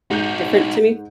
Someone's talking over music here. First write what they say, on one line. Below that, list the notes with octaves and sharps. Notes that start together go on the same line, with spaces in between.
different to me.
G#2 D#4 F#4 G6